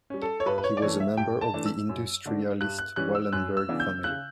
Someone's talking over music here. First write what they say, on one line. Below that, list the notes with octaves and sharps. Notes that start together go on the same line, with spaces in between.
He was a member of the industrialist Wallenberg family.
G3 C#4
A4
C#5
G2 B4
B4
C#5
D5
E3 A3 C#5
E5
G2 G5
A5
E3 A3 D4
E6
F#2
D3 A3 D4
G2 F#6
F#6
E3 G3 C#4 F#6
E6
F#2 F#6
E6
C#3 E3 B3 D4
G6
C#3 F#6